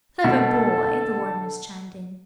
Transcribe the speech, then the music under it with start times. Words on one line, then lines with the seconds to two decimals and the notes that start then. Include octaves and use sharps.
"Clever boy!", the Wardeness chimed in.
0.24 B2 D3 A4